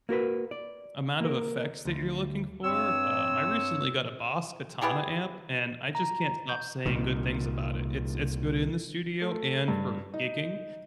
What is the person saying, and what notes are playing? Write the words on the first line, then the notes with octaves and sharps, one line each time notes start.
amount of effects that you're looking for, um, I recently got a Boss Katana amp, and I just can't stop saying good things about it. It's it's good in the studio and for gigging,
A#3 F#4 A#4 B4
D5
A#3 A#4
D2
G2 C4 C#5 E6
B3 E4 G4 G#4
A#5
G6
C2 A#2 D#3
A3
G2
D#4